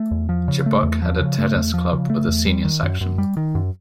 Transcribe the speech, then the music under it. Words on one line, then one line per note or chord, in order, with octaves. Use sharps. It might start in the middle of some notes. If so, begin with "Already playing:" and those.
Jabuk has a tennis club with a senior section.
Already playing: A3
E2
F3
C#3
A3
E2
F3
C#3
A3
E2
F3
C#3
A3
E2
G3
D#3
F#2
F#2
G3
D#3
F#2